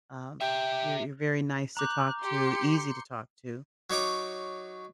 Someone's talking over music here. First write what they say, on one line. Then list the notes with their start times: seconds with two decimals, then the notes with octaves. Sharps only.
Um, you're you're very nice to talk to, easy to talk to
0.41 G4 E5 G5
1.77 A#5 D6 F#6 G6
2.22 G4 C6 C#7
3.90 F#3 D#4 C#5 D6